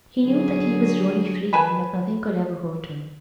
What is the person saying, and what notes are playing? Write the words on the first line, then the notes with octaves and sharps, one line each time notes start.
He knew that he was really free, and that nothing could ever hurt him.
D3 F#3 G#4
B4 G#5 A5 B5